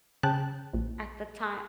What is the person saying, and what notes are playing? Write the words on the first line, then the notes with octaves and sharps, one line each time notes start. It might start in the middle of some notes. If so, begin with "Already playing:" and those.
at the time
C#3 G5 A5 F#6
A#1